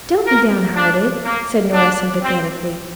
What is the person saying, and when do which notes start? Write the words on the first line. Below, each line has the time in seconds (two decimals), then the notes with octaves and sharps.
"Don't be down-hearted," said Nora sympathetically.
0.25 A#4
0.74 D4
1.23 A#3
1.73 D4
2.22 C4